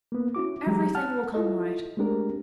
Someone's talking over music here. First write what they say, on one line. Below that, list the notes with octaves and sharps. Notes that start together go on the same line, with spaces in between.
Everything will come right.
A#3 B3
C#4 E4 F#4 D6
E3 F#3 G#3 G4 A#5
F#5 A5 F6
E4 F4 A4 D#5
G#3 A3 C4 D4 G4 A#4